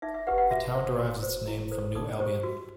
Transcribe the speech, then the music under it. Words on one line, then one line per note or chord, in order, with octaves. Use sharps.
The town derives its name from New Albion.
D#4 E5
E5
G4 B4 F#5
F#5
F#4 E5
C5
F#4
C5
E4
A4 C5
D#4 D#6
G4 C5
F#4